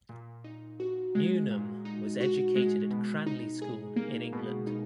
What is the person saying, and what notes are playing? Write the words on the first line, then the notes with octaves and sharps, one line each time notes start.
Newnham was educated at Cranleigh School in England.
A#2
D#4
F#4
G#3
A#2
D#4
F#4
G#3
B2
D#4
G#4
A#3
B2
D#4